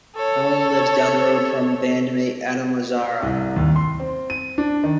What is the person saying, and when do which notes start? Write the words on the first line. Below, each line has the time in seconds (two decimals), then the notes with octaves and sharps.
Nolan lives down the road from bandmate Adam Lazzara.
0.16 A4 C#5
3.23 C2
3.56 D#2
3.76 C6
4.00 C4
4.30 D#7
4.58 D4
4.84 D#3